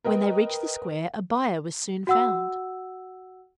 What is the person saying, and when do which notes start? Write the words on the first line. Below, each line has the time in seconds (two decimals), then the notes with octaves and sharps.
When they reached the square, a buyer was soon found.
0.05 A#4 B4 D#5 G5
2.07 F#4 F#5 E6